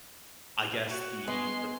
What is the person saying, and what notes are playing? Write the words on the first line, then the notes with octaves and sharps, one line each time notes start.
I guess, the the
F#4
G#3 B3 G#4 C6